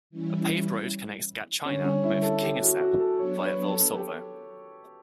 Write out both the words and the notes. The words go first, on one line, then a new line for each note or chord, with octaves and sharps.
A paved road connects Gatchina with Kingisepp via Volosovo.
E3 G3 C#4 E4
D3 G3 C#4 D4
C#4
E4
A4
G4
F#4
F#4
A4
F#3 B3 D4 C#5
C#5
B4
A4
G4